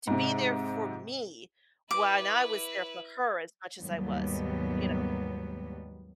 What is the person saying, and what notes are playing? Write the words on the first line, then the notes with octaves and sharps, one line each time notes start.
to be there for me when I was there for her as much as I was, you know
G#2 C3
E4 B4 D6
D#2 G#2 F#3 G3 B3